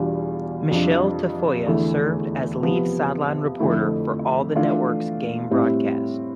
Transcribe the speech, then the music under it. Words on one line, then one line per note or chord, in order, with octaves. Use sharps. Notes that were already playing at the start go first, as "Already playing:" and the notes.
Michele Tafoya served as lead sideline reporter for all of the network's game broadcasts.
Already playing: E2 B2 G3 D4 F4
F2 C3 G3 D4 F4
E2 D3 A3 E4
C3 F3 B3
F2 D3 A3 E4
E3 A3 D4 F4
A2 G3 C4 E4